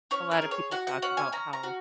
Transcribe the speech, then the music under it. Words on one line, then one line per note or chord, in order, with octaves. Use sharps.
a lot of people talk about how
C#4 C#5
A#4
G#4
C#5
F#4 F#5
F#5
C#4 F#5
G#5
C#4 A#5
A#5
F#4